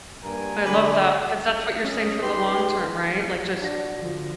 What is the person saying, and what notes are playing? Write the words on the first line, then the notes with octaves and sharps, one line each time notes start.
I love that, 'cause that's what you're saying for the long term, right? Like, just
G2 A#3 A#4 G#5
D3 B4 D5
C#4 D#5
D#4 G4 B4 C6
D4 F#4 A#6
D3 F3